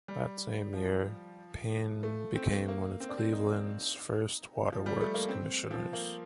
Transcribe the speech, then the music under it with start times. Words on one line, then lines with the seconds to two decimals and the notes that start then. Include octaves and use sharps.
That same year, Payne became one of Cleveland's first water works commissioners.
0.08 G3
0.73 F3
2.03 A3
2.35 C4
2.68 A#3
3.00 C4
3.09 D4
3.18 C4
3.33 D#4
4.72 F3
4.86 G3
5.01 A3
5.14 A#3
5.29 C4
5.71 F3
5.93 A#3